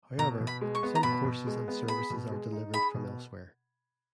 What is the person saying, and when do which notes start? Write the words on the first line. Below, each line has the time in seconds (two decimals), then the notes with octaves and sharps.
However, some courses and services are delivered from elsewhere.
0.18 B2 A#5
0.40 B2
0.47 B5
0.61 G#3
0.75 C#6
0.83 B3
0.95 A#5
1.03 B2 B5
1.25 B2
1.47 G#3
1.68 B3
1.88 G#4 B5
2.10 B2
2.31 G#3
2.53 D#4
2.74 G#4 B5
2.94 B2